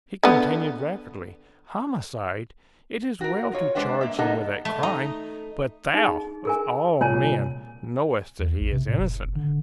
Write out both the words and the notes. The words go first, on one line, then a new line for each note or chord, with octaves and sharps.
He continued rapidly--'Homicide! it is well to charge him with that crime; but thou, of all men, knowest that he is innocent.'
D3 B3
F#4 A#4
F4 C#5
G#3 D4 B4 C5 F#5
A#3 E5
B3 D#4 A4 A#4 F#5
A3
D#4
D#4 G#4
G#4 A#4 G#5
C2 A#2 C#5 G#5 A5
E2
A1
C3
A2
F#1
D3